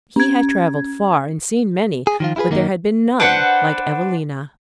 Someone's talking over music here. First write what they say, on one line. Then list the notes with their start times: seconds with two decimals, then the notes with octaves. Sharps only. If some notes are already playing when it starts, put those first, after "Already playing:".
He had travelled far and seen many, but there had been none like Evelina.
0.16 C#4 G#6
2.07 G#4
2.20 D#3 F3 F4
2.36 E4 F4 G4 G#4 B4
2.50 F#2 D#3 A#3 D#4
3.20 D4 B4 C5 F#5